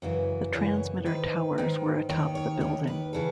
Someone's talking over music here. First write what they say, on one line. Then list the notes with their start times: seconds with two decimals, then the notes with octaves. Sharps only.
The transmitter towers were atop the building.
0.02 F#2 C#3 E3 F#4
0.54 F#2 C#3 E3 C#5
1.05 G#2 D#3 B4
1.58 G#2 D#3
2.09 D#2 D#3 C#5
2.35 C#5
2.61 D#2 D#3 C#5
2.87 B4
3.13 C#3 E3 A4